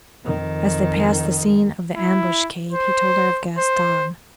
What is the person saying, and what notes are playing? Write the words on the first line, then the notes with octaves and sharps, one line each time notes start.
As they passed the scene of the ambuscade he told her of Gaston.
F2 D#3
E4
C5
C5